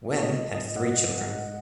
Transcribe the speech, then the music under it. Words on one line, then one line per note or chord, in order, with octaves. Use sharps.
Wen had three children.
C#5
G#3 D#5
G#2 D#5
F#5
G#2 D#5
G#3 F#5